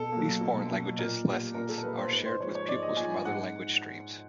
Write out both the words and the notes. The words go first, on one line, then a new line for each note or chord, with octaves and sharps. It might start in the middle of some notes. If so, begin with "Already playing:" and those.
These foreign languages lessons are shared with pupils from other language streams.
Already playing: B2 A4
F#3 A#3
B2
F#3 A#3
A#2 A#4
G3 A#3
A#2 A#4
A4
A#4
G3 A#3 B4
C5
G#2 B4
C5
F3 G#3 C#5
C#5
G#2 D5
D#5
F3 G#3 G#5
G#5
G#2 F#5